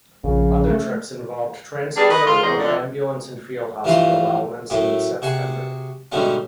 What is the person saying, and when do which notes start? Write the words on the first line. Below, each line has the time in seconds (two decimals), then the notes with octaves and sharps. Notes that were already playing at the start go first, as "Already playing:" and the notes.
Other trips involved transport of ambulance and field hospital elements in September.
0.24 A#1 C#3
0.70 A3
1.97 G3 B3 D4 G#4
2.11 B4 C#5 D#5
2.26 G#2 F4
2.43 E2 F#3 D#4 G#4 C5
2.58 F2 D3
3.84 G2 E3 F3 A3 F4 F5
4.70 F#2 A2 A3
5.22 C3 F#4 G#4 C#6
6.12 G#2 B2 D3 G3 A3 C#4